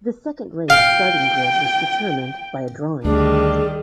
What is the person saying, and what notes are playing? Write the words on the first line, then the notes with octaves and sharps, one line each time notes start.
The second race starting grid was determined by a drawing.
F5 G5
D2 D#3 G3 D4 G#4